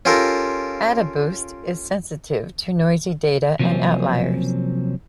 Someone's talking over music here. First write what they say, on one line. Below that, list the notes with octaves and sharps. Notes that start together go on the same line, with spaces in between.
AdaBoost is sensitive to noisy data and outliers.
C#4 F4 G4 A4 A#4
C3 F3 F#3 A#3 C4 C#4